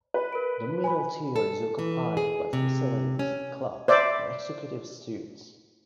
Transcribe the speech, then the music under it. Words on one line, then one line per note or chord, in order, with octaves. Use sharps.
The middle tier is occupied by facilities, clubs, and executive suites.
B4
A#4 D7
G#5 B5
A4
E3
G#4
C3
C#4
C5 D5 E5